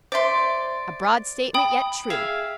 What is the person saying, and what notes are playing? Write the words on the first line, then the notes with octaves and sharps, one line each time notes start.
A broad statement, yet true.
C5 D5 E5 C6
G5 B5 D#6
G#4 E5 F5